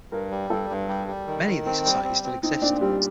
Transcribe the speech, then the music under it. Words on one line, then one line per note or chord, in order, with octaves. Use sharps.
Many of these societies still exist.
G2 A#4
G3
G2 A4
G2
G3
G3
D#3
D#3
C4
G3
C4
C4
C4 D#4
A#2 D4
G3 C4